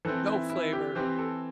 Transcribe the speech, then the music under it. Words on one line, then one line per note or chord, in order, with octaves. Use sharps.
No flavor.
E3 C4 A4
E4
E4
G4
E3 C4 G4
A4